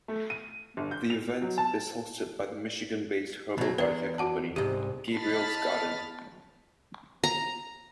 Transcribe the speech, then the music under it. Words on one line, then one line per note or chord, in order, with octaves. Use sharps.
The event is hosted by the Michigan-based herbal bodycare company: Gabriel's Garden.
A3
D#7
G1
G6
F7
F#3
A5
B2 F#3
E2 B4 D5
F#4 F#5 A5
C2 G#2 G4
D#5 A5 B5 F6 A6 B6
A#5